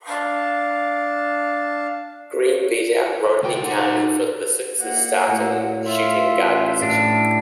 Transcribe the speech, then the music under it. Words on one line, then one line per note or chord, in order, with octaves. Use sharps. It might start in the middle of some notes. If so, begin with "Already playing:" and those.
Green beat out Rodney Carney for the Sixers starting shooting guard position.
D4 F5 A5
C#2 G5
D#4 F#5
A#2 A#3 F#5
A2
F4 E5
A1
A2 D4